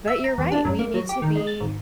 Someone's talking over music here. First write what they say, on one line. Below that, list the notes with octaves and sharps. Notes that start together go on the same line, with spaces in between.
But you're right. We need to be,
E5
A#5
E2
D4
F#2
A#3
F#3
G4
D#3
G#3
A6
G#1